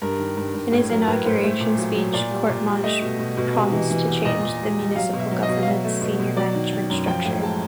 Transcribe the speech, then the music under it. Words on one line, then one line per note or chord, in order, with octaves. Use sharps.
In his inauguration speech Courtemanche promised to change the municipal government's senior management structure.
G2 A#4
D#3
G2
G2
A2
F#3 A#4
A2 B4
A2 C5
A3
A#2
F#3
F#3
A#2 D5
G3
A#2
G3
A3 D#5
B2
B2
B2
C3
E3
E3
E2
A#2 D#5
A#2
G3
G3
F#3 F5
B2
E5
F#3
D#5
B2
F5
F#3 E5
A3
B2
B2
F#3 D5
D#3
D#3
F#2
F3 G5
A2
G#3 A5